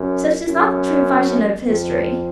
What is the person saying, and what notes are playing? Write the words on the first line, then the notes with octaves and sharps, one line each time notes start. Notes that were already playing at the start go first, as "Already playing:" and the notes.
Such is not the true function of history.
Already playing: F#2
F#2
F2